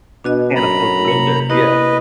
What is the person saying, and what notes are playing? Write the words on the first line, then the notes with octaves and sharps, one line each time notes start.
Can't afford to live there. Yeah.
B2 D4 F#4 D#5
F#2 A#5 B5
C3 A#3
E4 G4 B4 D#5